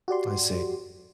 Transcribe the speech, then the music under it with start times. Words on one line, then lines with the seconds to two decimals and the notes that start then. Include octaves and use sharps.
I see.
0.08 F#4 G4 D5 C6